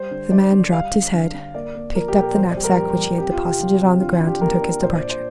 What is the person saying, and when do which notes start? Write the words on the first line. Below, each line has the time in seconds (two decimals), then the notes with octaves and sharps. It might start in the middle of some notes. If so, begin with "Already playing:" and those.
The man dropped his head, picked up the knapsack which he had deposited on the ground, and took his departure.
Already playing: G3 C5
0.11 D3
0.31 D3 D5
0.52 D3
0.72 G3 F5
0.93 D3
1.14 D3
1.34 D3
1.54 A#3 D5
1.75 A#3
1.95 F3 A#4
2.08 G4
2.16 A#2
2.23 A#4
2.36 F2 C5
2.50 D5
2.57 G3
2.64 A#4
2.77 F2 G4
2.98 F2
3.18 C4 G4
3.32 F4
3.39 C3
3.45 G4
3.59 F3 F4
3.80 C4
4.00 D3 F4
4.14 F4
4.20 D4
4.27 G4
4.41 A#3 A#4
4.62 D4
4.82 A#2 C5
4.96 D5
5.02 A#2
5.10 C5